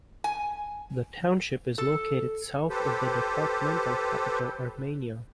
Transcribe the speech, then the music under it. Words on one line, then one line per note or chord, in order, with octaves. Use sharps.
The township is located south of the departmental capital Armenia.
G#5
A4
G4 A4 B4 C5